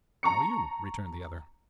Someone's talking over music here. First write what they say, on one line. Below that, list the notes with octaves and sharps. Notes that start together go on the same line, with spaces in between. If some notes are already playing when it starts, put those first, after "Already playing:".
"How are you?" returned the other.
A5 A#5 C#6 C#7